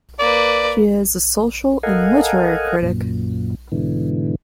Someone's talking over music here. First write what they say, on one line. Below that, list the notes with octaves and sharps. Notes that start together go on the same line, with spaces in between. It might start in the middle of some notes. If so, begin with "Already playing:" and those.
She is a social and literary critic.
A#3 B4 D5
A4 A#4 D#5 F5 F#5 G#5
F#2 A#2
G#2 B2 D3 E3